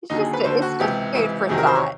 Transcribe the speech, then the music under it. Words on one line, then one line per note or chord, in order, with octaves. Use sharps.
it's just it's just food for thought.
D#2 D3 F#3 D#4
G#4
B4
D#2 D3 F#3 C5
F#4
C#2 C3 E3 G4
C#2 C3 E3
E2 C3 D#3 F#3 G#4
A#4
C5
C#5